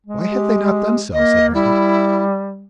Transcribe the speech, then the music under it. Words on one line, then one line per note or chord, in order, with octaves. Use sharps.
"Why have they not done so?" said Herbert.
G#3
G4
A#3 D#5
G3 E4